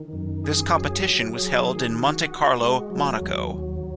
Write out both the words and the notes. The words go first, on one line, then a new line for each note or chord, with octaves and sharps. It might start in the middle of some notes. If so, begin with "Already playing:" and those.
This competition was held in Monte Carlo, Monaco.
Already playing: D#3
F#2
G#4
F#3
F#3
G#4
D#3
F#4
F#4
G#3
F#3
D#2
F#3